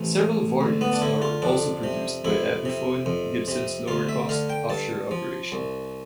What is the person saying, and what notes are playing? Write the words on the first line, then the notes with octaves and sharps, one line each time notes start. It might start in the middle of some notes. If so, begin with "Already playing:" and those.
Several variants are also produced by Epiphone, Gibson's lower cost, offshore operation.
Already playing: A1 C3
A2
D2
B3
D4
D3 E4
F4
F2 D4
C3
F2 E4
C3
F2
C3
D2 F4
E5
D3 F5
G5
G2 A5
F3
C2